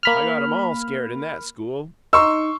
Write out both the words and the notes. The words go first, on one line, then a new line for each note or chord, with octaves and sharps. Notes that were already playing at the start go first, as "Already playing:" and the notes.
"I got 'em ALL scared in THAT school."
A#3 B5 F6
D#4 C6 C#6 E6